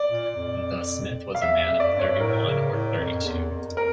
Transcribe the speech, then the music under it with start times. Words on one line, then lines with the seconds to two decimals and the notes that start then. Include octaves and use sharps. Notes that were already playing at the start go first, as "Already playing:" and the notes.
The smith was a man of thirty-one or thirty-two.
Already playing: D5
0.10 A#2
0.36 F2
1.35 F5
1.41 E2 E5
1.60 E5
1.67 F2
1.80 D5
1.94 G2
1.99 C#5
2.20 A2 A#4
2.46 C#3
2.72 A2
2.98 F2
3.25 E2
3.51 F2
3.77 A#4